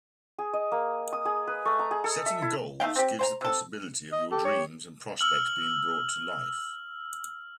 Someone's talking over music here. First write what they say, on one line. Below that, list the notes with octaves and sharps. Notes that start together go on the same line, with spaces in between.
Setting goals gives the possibility of your dreams and prospects being brought to life.
G#4
D#5
A#3
D#6
G#4
B4
A3
A#5
G#4
A4
E5
E4
A3 D#4 F5 G5
C4 G4
C5 G5 A#5
C3 A4
D#5
G4 A4
C#5
E6 F6 F#7